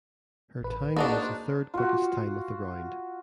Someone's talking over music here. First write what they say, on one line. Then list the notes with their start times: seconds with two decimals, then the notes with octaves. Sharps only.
Her time was the third quickest time of the round.
0.61 A1 B4
0.97 A#3 D4 D#4 F#4 G#4 A5
1.22 C5
1.74 F4 F#4